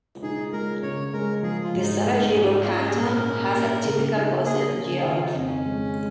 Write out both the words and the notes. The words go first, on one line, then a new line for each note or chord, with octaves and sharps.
The Sarajevo Canton has a typical Bosnian geography.
D#4 G#4
G#3 A#4
C#3 C#5
G#3 A#4
F3 G#4
F4
G#2
D#4
G#2 C#4
D#4
G#2 C#4
D#4
C#4 F4
G#4
A#2
A#4
C#4
A#3
C#3
D#4
A#3 G#4
C#3
G#4
D#4
D#3 F4
D#4
F2
C#4
G#3
G#3